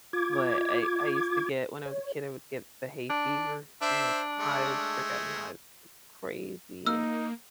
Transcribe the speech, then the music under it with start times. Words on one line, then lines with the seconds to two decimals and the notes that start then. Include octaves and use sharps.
but I I used to get when I was a kid, I would get the hay fever and, like, hives, break out in hives c crazy and
0.13 F4 D6 G#6
1.86 C#5
3.10 D4
3.82 D4 C5 E5
4.39 G#3 A3
6.86 A#3 D#4 E6 F6